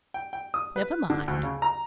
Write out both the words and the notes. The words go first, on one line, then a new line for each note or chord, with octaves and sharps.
Never mind.'
G5
G5
D#6
B4
D3
D2
C#3
A#5